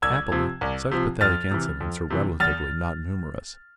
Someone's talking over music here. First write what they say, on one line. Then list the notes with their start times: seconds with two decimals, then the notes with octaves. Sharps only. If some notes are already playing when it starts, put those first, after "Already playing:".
Happily such pathetic incidents are relatively not numerous.
0.02 C2 E6 G#6
0.32 C3 F3
0.61 C2
0.91 C3 F3
1.21 F2 F6 A6
1.51 C3 E3
1.80 F2
2.10 C3 E3
2.40 E2 F6 A6